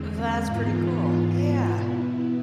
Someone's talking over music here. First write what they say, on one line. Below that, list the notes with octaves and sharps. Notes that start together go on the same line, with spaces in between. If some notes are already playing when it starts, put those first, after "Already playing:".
That's pretty cool, yeah.
Already playing: E2 D3 G#3 C4
G#2 E3 B3 F4
B2 B3 E4